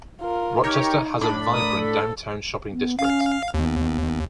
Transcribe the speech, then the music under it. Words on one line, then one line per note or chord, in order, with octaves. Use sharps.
Rochester has a vibrant downtown shopping district.
F4 A#4
D#4 G4 A#4 C#5
A2 D4 B5
A#4 D#6
A4
B3
C#4 F5
D#2 B3